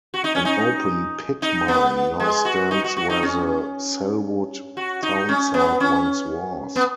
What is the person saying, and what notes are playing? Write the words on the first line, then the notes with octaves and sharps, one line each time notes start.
An open pit mine now stands where the Sellwood townsite once was.
F#4
D#4
C#4
D#4
D#4
B3
G#3
F#4
D#4
F#4
F#4
D#4
C#4
F#4
D#4
C#4
B3
C#4
B3